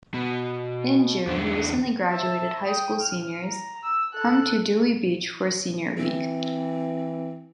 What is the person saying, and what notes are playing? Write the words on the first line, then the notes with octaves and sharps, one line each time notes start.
In June, recently graduated high school seniors come to Dewey Beach for Senior Week.
B2
E2 D3
E5 A5
G5 D#6
F6
A#5
E6
A4 F#6
E3 C4